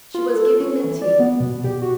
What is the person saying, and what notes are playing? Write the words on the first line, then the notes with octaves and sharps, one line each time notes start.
She was giving them tea.
F4
A4
C#4
E3
D5
B3
B2
G4
F#4